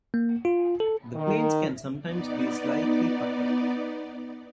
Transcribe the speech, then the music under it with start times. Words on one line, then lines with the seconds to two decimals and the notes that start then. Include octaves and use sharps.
The planes can sometimes be slightly puckered.
0.14 A#3
0.45 F4
0.80 A4
1.14 D#3
1.99 B3 D#4 D5